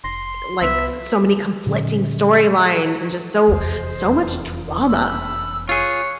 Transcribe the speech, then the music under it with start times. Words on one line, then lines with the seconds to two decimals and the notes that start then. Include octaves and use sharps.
eh, like, so many conflicting storylines and just so, so much drama.
0.04 F1 C6 A#6
0.62 C2 B3 B4 E5
1.66 A#2 D3 F#3 C#4
3.48 F1 E2 C5
4.88 B5 E6
5.69 F4 G#4 C#5 F#6